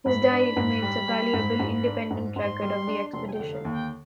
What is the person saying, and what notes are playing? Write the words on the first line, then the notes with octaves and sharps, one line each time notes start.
His diary remains a valuable independent record of the expedition.
G#2 B5
D4
G#2
G3
G3
G#2
G#2
D4
G#2
G#2 C6
G3
D4
F1 C6
G#5
G5
D3
F5
D#2
G5